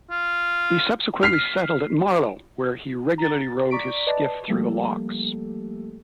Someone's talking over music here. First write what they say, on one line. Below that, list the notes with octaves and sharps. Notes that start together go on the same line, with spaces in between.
He subsequently settled at Marlow where he regularly rowed his skiff through the locks.
F4
F6 B6 C7
A#5 A6
D5 A#5 C#6 B6 D7
B4 D5 D#5 A5
F3 G3 A3 A#3 G4 A4